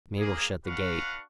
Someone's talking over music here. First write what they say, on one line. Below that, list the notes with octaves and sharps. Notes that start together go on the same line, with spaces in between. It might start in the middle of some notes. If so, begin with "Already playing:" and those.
Mabel shut the gate.
A#3 G#4
D4 F#4 B4 F5 F#5 C#6